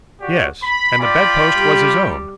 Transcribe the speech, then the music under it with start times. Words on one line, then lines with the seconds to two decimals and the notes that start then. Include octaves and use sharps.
Yes! and the bedpost was his own.
0.21 F#4 G4 D5
0.62 B5
0.99 F4 D5 G5 B5
1.54 G3 G4